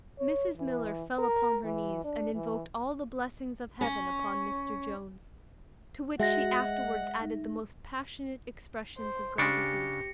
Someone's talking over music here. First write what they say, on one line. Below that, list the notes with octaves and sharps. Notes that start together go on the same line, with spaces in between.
Mrs Miller fell upon her knees and invoked all the blessings of heaven upon Mr Jones; to which she afterwards added the most passionate expressions of gratitude.
C#5
E3
A#4
E3
D4
E3
C#4
G#3 F#4 E5 F#5 A#6
D#5
D#4
C5
C#3 D4 G4 A#6 C#7